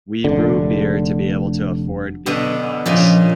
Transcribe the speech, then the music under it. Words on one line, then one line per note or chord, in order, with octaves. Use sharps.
We brew beer to be able to afford being monks.
F1 D3
B2 D3 B3
A#2 C#3 F3 D#4